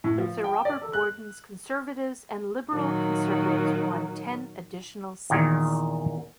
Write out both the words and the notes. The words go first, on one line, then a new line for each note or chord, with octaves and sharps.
Sir Robert Borden's Conservatives and Liberal-Conservatives won ten additional seats.
A2
F3
G5
D5
A4
F#6
A#2 D#3 F#3
E2 A#2 D#3